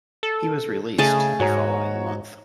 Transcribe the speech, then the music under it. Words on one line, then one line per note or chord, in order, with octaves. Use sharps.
He was released the following month.
A4
C#3 A3 G#4 D#5 A5
G#2 F#4 C#5 A#5